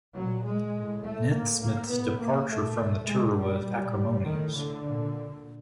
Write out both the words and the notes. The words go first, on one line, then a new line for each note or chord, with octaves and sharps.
Nesmith's departure from the tour was acrimonious.
A#2 F#3
G#3
A2
A3
A2 A#3
A#3
A2 B3
A#3
A#2 A3
A#2 G#3
G3
A#2
A2 D#3
D3
A#2